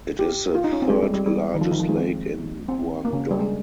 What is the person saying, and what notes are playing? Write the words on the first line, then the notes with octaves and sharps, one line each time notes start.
It is the third largest lake in Guangdong.
G4
F4
D#4
C#4
C4
G#3
G3
G3
G3
D#3
F3
D#3
F3
G#3
C4
C4
A#3
C#3
G3
G#3